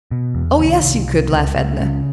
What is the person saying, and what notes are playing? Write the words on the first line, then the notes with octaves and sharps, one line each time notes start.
"Oh, yes you could!" laughed Edna.
B2
E2
C2 D#3
C2
C2
C#2
C#2
C#3